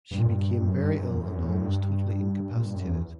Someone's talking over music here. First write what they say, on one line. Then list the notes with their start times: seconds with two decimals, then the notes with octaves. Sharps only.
She became very ill and almost totally incapacitated.
0.11 G2
0.18 A#2
0.26 G2
0.61 F#2
0.78 G2
0.95 F#2
1.11 E2
1.23 F#2
1.35 E2
1.48 F#2
1.61 G2
2.51 A#2
2.61 G2
2.74 F#2
2.87 E2